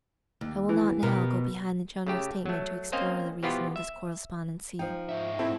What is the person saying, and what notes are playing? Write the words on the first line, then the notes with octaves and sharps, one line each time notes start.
I will not now go behind the general statement to explore the reason of this correspondency.
D#2
E3
B2 G4 A#4
C#3 A3 G4
F#3 A3
A#3 C4 C#4 C5 D#5 F5
B2 E3 F3 B3 F4 G4
E5
F3 D#4 G5
G#2 E5
C4 E4 A4